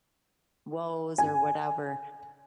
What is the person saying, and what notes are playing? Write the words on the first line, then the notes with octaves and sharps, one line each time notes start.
woes or whatever.
G#5